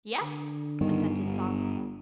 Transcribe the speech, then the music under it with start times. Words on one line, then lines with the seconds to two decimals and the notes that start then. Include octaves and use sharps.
"Yes," assented Thong.
0.22 D3
0.81 G2 D#3 G3 B3
1.25 G1